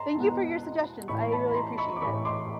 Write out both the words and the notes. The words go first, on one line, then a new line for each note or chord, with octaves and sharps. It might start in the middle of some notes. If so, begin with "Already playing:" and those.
Thank you for your suggestions, I really appreciate it.
Already playing: A5 A#5 C6
E2 B2 G#3 B3
A1 A2 E3 A3 B5 C#6
A5 B5
B5
A#5 C6
B5 C#6
D6
A1 A2 E3 A3 B5 C#6
C6 D6